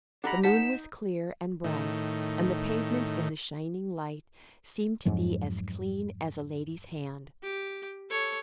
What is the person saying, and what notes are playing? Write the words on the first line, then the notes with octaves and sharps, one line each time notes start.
The moon was clear and bright, and the pavement in the shining light seemed to be as clean as a lady's hand.
G#3 D4 G4 A4 D#5 F#5 A#5 B5
D#4 C5 F#5 A5 B6 E7
A2 D#3
F2 G#2 F3 F#3
G4
A4 C#5